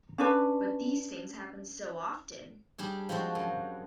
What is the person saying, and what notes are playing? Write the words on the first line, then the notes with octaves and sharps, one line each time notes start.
But these things happen so often!
C#4 D4 B4
G3 D4 G#4
F3 G#3 C4 F#4
F#2